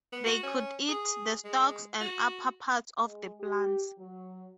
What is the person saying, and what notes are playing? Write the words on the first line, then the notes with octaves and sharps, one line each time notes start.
They could eat the stalks and upper parts of the plants.
B3
F#4
C#4
G#4
G#3
F#4
G#3
G4
F#3